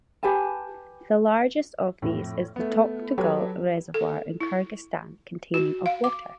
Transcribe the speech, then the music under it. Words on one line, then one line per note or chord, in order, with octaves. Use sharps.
The largest of these is the Toktogul Reservoir in Kyrgyzstan containing of water.
G4 B4 G#5 A5
F2 A2
A3 B3
F#3 G4 A4 B4 C#5
A4
E4
F#4
F5
D6